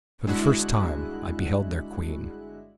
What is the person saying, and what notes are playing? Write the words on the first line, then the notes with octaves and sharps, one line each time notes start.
For the first time I beheld their queen.
G1 G#3 D4 E4 F#4 F#6